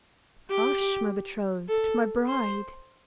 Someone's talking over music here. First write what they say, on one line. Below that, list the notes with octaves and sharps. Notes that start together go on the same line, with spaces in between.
'Hush, my betrothed! my bride!
G4
A4
C5